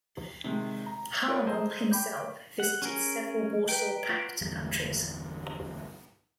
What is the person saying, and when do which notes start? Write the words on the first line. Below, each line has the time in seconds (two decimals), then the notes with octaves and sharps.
Harmel himself visited several Warsaw Pact countries.
0.44 C3 D#3 G#3
0.86 A#5
1.28 F4 A#4 B4 C#5 D5
1.47 G#4 A4 C5 D#5 A#5
1.91 G5 B5 D6 G6
2.60 F#5
2.82 C#4 G#4 A#4
3.69 B4 G5 A#5
4.09 F4 F#5
4.41 G1 E2 G3